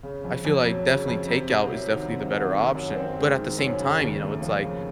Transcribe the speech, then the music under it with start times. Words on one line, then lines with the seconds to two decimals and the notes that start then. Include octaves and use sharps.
I feel like definitely takeout is definitely the better option, but at the same time, you know, it's like
0.03 C#3
0.25 F2
0.45 F2
0.66 F#3
0.87 C#3
1.08 F2
1.29 C3
1.50 C2
1.70 F#3
1.91 D#3
2.12 C3
2.33 C2
2.54 D#3
2.75 F#2
2.96 C4
3.17 G#3
3.38 D#3
3.59 F#2
3.79 C#3
4.00 D#2
4.21 A3
4.42 F3
4.63 C#3